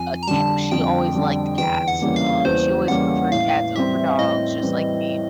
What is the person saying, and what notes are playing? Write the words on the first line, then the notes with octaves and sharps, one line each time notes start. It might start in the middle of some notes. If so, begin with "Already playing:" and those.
a ca oh, she always liked cats. Um, she always preferred cats over dogs just like me,
Already playing: F2 G#5
A#5
D3 G3 A5
F2 G5
D3 G3
E2 G5
F#5
C#3 E3 G3 A#3
F5
E2 C5
C#3 E3 G3 A#3 F#5
A2 F5
E3 G3 C4 E5
A2 D#5
E3 G3 C4